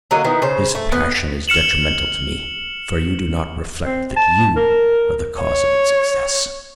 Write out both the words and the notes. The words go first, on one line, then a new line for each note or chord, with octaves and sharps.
This passion is detrimental to me, for you do not reflect that YOU are the cause of its excess.
D3 F#3 A#3 D#5
D#3 B3 E4
C#3 C5
A3
B3
F6 C#7 E7 F#7
C4
A5
A#4
C#5